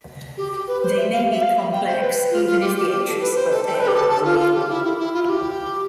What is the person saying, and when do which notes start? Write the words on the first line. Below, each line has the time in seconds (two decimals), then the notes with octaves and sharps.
They may be complex even if the entries of A are real.
0.37 G4
0.52 G4
0.67 B4
0.82 C5
0.97 E5
1.12 F5
1.31 E5
1.41 F5
1.56 E5
1.71 G5
1.86 C5
2.01 B4
2.31 F4
2.46 F4
2.61 G4
2.76 G4
2.90 G4
3.06 A4
3.20 B4
3.35 C5
3.50 A4
3.65 A4
3.74 C5
3.80 B4
3.88 G4
3.95 A4
4.10 A4
4.24 F4
4.39 F4
4.54 G4
4.70 E4
4.84 E4
4.99 E4
5.13 F4
5.24 F4
5.29 G4